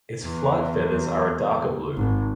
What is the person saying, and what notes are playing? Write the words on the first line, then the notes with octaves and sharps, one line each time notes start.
Its flight feathers are a darker blue.
E2
G#1